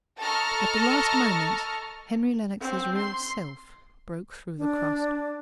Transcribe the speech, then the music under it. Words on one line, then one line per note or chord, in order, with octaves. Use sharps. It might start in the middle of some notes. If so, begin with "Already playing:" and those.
At the last moment, Henry Lennox's real self broke through the crust.
A4 D#5 A5 A#5 C#6 F6
C4
C6
D4